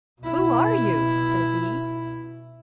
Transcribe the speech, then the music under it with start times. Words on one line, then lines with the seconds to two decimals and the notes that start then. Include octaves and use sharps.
"Who are you?" says he.
0.21 B2 E4